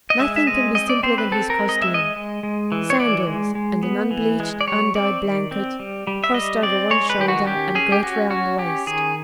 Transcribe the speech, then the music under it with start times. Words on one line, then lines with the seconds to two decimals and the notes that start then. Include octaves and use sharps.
Nothing can be simpler than his costume--sandals, and an unbleached, undyed blanket, crossed over one shoulder and girt round the waist.
0.10 D#5
0.19 G#3 E5
0.36 E5
0.47 C4 D#5
0.75 C4 D#5
0.89 D5
1.03 C4 C5
1.18 B4
1.32 C4 A4
1.50 A#4
1.59 G#3
1.69 D#5
1.82 E5
1.87 G#3
1.94 D#5
2.16 G#3
2.43 G#3
2.72 E3
2.90 C#5
2.99 E3 D5
3.27 G#3
3.55 G#3
3.83 B3
4.11 E3
4.40 G#3
4.61 D5
4.67 G3 C#5
4.95 C4 D5
5.23 D#3
5.51 C4
5.80 G3
6.07 G3
6.24 E5
6.34 G3 D#5
6.62 C4 D5
6.91 G#3 C#5
7.10 B4
7.19 D#3 G4
7.28 F#4
7.46 C#4 G4
7.75 C#4 G#4
7.92 G4
8.03 C#4 F#4
8.30 C#4 F#4
8.58 C#4 G4
8.87 D#3 G#4